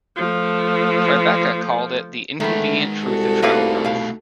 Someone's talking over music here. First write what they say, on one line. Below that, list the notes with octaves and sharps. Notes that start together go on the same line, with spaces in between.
Tribeca called it "The Inconvenient Truth of Childbirth".
F3 A3
D#3 G#3 A3 B3 B5
C2 F#4 A4
A3 A#3 D#4 B4 F5
B2 F5